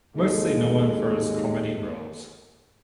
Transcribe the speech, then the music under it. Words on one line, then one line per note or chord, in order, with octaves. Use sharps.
Mostly known for his comedy roles.
G#1 D#2 G#3 A4